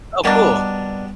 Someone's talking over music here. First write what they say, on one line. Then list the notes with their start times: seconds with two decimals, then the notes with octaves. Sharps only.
Oh, cool.
0.24 B2 G3 A#3 B3 D4